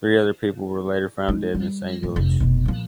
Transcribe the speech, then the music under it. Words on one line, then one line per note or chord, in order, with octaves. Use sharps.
Three other people were later found dead in the same village.
G#3 D#4
G3
F#2 A2
F1
F1 B2
A#2 F3